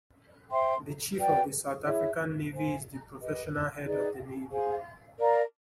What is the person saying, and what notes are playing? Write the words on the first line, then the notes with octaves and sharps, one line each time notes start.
The Chief of the South African Navy is the professional head of the Navy.
C5 E5 G5 C6
F#4 B4 D5 G5
E4 G#4 C#5 E5
C5 F5 G#5
G4 B4 D#5
D#4 G#4 B4 D5
G#4 C5 F5 G#5
A#4 D5 F5 A#5